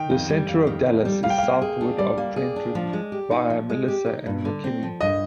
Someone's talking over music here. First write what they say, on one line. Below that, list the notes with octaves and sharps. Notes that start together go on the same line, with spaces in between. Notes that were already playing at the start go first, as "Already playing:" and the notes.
The center of Dallas is southwest of Trenton via Melissa and McKinney.
Already playing: D#3 G5
F2
G3
F2
D#3
F2
G3
G3 F5
G5
A#3 F5
G#4
D4
G3 D5
A#3
G#4
D4
F3
G#3
G4
D#4
F3
G#3
G4
D#4
G2
D3
C4
F3
G2 D#5